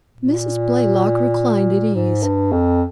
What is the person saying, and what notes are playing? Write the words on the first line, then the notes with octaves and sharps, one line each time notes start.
Mrs. Blaylock reclined at ease.
A#2
G#2
G2
F2